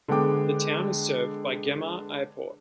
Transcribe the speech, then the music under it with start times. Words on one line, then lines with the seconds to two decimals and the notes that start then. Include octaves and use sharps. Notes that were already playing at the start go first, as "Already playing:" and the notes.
The town is served by Guemar Airport.
0.08 D3 G#3 B3 G#4 G5 D6